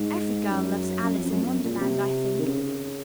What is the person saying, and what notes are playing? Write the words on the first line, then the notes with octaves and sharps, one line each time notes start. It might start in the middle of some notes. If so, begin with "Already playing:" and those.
Every girl loves 'Alice in Wonderland,' I think.
Already playing: G#2
F#2
F#2
F2
F#2
F2
F#2
A#2
C3
D#3
C#3